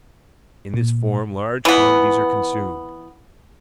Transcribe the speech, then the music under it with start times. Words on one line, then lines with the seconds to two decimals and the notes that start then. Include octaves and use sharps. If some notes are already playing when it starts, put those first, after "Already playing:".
In this form large quantities are consumed.
0.74 A#2
1.65 E3 B3